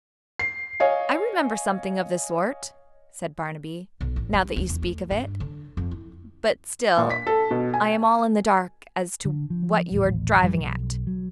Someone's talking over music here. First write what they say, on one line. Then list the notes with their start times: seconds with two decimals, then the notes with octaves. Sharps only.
"I remember something of the sort," said Barnaby, "now that you speak of it, but still I am all in the dark as to what you are driving at."
0.39 C7
0.80 C#5 D#5 F5 G#5
4.01 B1
4.16 A1
4.33 G3
4.56 D2
4.69 E2
4.82 A3
5.11 G2
5.40 D3
5.77 F2
5.91 E4
6.98 A#2
7.10 B6
7.27 A4
7.51 B2
7.74 G#5
9.25 D3
9.50 F3
9.91 D#1 A1
10.42 A1 F#2 F3 G3
10.60 B1
11.07 F#3